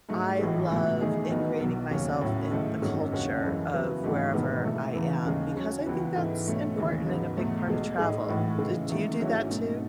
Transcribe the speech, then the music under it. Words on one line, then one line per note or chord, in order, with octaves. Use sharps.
I love ingraining myself in the culture of wherever I am, because I think that's important and a big part of travel. Do do you do that too?
G#2 F#3 A3
A1 A2 E3 G#3
C#2 B2 F#3 A3 E4
E2 D#3 A3 D#4 G#4
E2 D#3 F#3 B3 D#4
B1 B2 F#3
D#2 C#3 F#3 C#4
A2 F#3 C#4 E4
G#2 D#3 A3 E4 A4
G#1 F#2 D#3 G#3 C#4
D#2 C#3 G#3 C#4 F#4
F#1 F#2 E3 G#3
C#3 F#3 B3 E4 B4
G#1 G#2 E3 A3
E1 E2 D#3 G#3 B3
B2 A3 E4 A4
E2 C#3 E3 B3
D#2 C#3 G#3
C#3 F#3 C#4
C#2 C#3 E3 B3 F#4
G#2 E3 B3 E4 A4
B2 A3 C#4
D#2 C#3 E3 G#3
G#2 F#3 B3
E2 B2 A3
B1 B2 G#3
A2 G#3 D#4
A2 E3 A3 D#4 F#4
C#3 E3 G#3
E2 D#3 A3 E4
G#1 G#2 F#3 C#4 E4
B2 A3 D#4